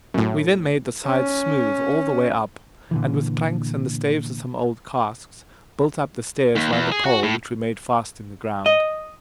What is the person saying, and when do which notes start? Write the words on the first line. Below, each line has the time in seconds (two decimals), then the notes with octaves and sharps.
We then made the sides smooth all the way up, and with planks and the staves of some old casks, built up the stairs round a pole which we made fast in the ground.
0.14 F#2 A2
1.06 C#4
2.91 A#2 D3 E3
6.56 D#2
6.72 E2
6.92 G#4
7.05 F#4
7.24 A2
8.66 D#5